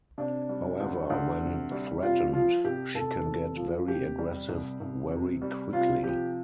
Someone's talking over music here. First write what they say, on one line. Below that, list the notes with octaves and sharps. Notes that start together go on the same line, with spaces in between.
However, when threatened she can get very aggressive very quickly.
C3 D4
G3
D2
D2
C3
G3
C3 F4
F3 F4
C2 G4
C2 A4
C3
F3
C3 G4
G3
C2
C2
C3
G3
C3 F4
F3 G4